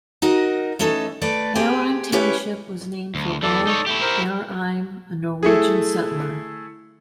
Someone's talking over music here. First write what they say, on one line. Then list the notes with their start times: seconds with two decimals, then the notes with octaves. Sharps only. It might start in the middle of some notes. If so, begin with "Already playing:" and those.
Hereim Township was named for Ole Hereim, a Norwegian settler.
0.22 D#4 F#4 A#4 D#5
0.79 E3 A3 C#4 D#4 A4
1.22 A3 B4 D5
1.55 C4 G4 G#4
2.12 C#4 E4 G4 B4 C#5
3.15 D2
3.43 E2 E3 A4 D5
3.67 D#4 C#5
3.87 A3 E4 G4
4.01 A#4 C5
5.43 A3 E4 G#4